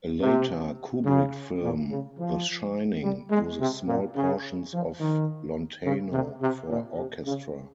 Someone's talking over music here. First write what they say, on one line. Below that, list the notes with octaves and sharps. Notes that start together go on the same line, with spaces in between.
A later Kubrick film, "The Shining", uses small portions of "Lontano" for orchestra.
C3
C#3
A#2
C#3
F3
G3
G#3
C3
A#2
C#3
F3
D#3
C#3
C3
C3
A#2
C3
C#3